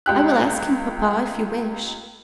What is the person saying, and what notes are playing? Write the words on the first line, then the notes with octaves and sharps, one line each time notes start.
"I will ask him, papa, if you wish."
C#2 G4 F#6